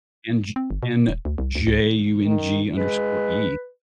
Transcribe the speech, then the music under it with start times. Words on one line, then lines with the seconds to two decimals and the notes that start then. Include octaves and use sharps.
N j N-J-U-N-G_E.
0.56 C4
0.71 G1
0.83 B2
1.08 D#1
1.25 D2
1.38 C2
1.55 D2
1.67 C#2
2.26 D#3
2.77 G#3 B4